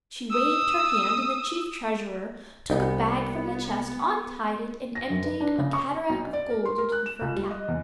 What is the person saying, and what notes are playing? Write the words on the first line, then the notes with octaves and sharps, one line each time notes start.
She waved her hand, and the chief treasurer took a bag from the chest, untied it, and emptied a cataract of gold into the fur cap.
D#6 E6
C2 B3
A#6
F#2
B4
D4
C#3
C#6
B1
D5
A#4
C6
A#4
F#6
E7
C#2
G3
D#5
E2